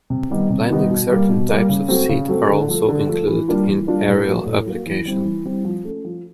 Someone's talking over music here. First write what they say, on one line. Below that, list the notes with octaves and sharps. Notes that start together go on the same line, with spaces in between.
Planting certain types of seed are also included in aerial application.
C3
D#3 G3 B3 D#4
C3
D#3 G3 B3 D#4
B2
G3 A#3
B2
G3 A#3
C#3
F#3 A3 C4
C#3
F#3 A3 C4
D3
F3 A3
D3
F3 A3
E3
G3 A#3 D4 F4
E3
G3 A#3 D4 F4
A2
F#3 A#3
A2
F#3 A#3
E3
G3 C4 E4
E3
G3 C4 E4
F3
A3 C#4
F3